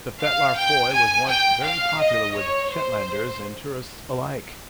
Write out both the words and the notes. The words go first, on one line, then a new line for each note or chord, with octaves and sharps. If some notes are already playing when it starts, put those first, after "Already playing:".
The Fetlar Foy was once very popular with Shetlanders and tourists alike.
F5
G5
G#5
G5
F5
D#5
C#5
C5